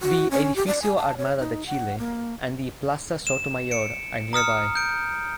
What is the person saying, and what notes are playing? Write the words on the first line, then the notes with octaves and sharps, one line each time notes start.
The Edificio Armada de Chile and the Plaza Sotomayor are nearby.
F#4
C#4
G4
D5
G#5
A5
C#5
D#4
F#5
A#3
E7
C#7 D7
A#5 D#6 F6 C#7
G6 D7